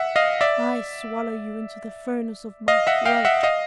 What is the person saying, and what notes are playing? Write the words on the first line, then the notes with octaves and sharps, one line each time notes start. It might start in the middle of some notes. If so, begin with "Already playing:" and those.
I swallow you into the furnace of my throat.
Already playing: E5 F#5
D#5 F5
D5 E5
D#5 F5
E5 F#5
F5 G5
E5 F#5
D#5 F5